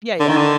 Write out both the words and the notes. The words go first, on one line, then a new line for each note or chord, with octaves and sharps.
Yeah, yeah.
D3
D#3
D3